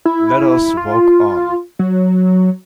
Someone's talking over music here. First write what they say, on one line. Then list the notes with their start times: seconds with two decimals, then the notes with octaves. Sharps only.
Let us walk on.
0.05 E4
0.77 F4
1.79 F#3